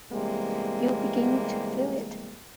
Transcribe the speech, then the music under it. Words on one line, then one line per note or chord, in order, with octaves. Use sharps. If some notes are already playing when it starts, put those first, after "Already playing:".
You begin to feel it.
E2 C3 G3 G#3 A#3